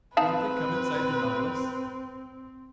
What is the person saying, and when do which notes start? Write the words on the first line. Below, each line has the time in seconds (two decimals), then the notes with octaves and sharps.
"Won't they come inside the Nautilus?"
0.17 C4 D#4 B4 F5 A5